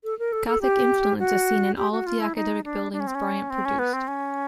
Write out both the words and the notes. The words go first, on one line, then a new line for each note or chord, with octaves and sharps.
Gothic influence is seen in all of the academic buildings Bryant produced.
A4
A#4
A4
A4
G4
F#4
G4
F#4
F4
E4
D#4
D4
D4
C#4
C4
C#4
C4
C#4
B3
C4
C#4